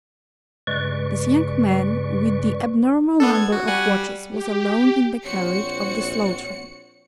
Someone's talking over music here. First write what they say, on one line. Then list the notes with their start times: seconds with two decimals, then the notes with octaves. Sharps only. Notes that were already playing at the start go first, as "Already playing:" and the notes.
This young man with the abnormal number of watches was alone in the carriage of the slow train.
0.67 G2 C#3 G#3 B4 D5 C#6
3.20 B3 D4 A4
3.35 G#6
3.52 F#4
3.67 G3 F#5 G#5
3.90 G3
4.30 G4
5.24 A#1 C4 F#4 C#5 C#7